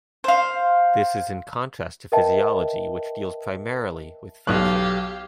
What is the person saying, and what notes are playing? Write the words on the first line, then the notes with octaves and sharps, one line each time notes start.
This is in contrast to physiology, which deals primarily with function.
C5 F5
A#4 B4 D#5 E5 G5 A5
B1 G4 F5 F#6